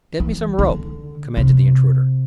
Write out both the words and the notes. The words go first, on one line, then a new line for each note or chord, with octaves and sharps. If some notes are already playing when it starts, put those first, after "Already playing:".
"Get me some rope," commanded the intruder.
E3
D3
C3